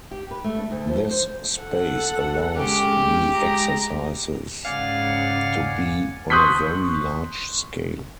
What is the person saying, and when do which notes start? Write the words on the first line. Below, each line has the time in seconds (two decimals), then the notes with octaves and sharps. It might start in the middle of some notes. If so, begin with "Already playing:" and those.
This space allows the exercises to be on a very large scale.
0.11 G4
0.31 B4
0.44 A3
0.58 D4
0.71 D2
0.87 F3
1.11 C5
1.59 A4 F#5
2.58 G#3 C#4 G4
3.35 G#3 A#5
4.65 G#2 C#3 D5 F5 F#5 G#5
6.30 C6 C#6 D#6 F#6 G6 B6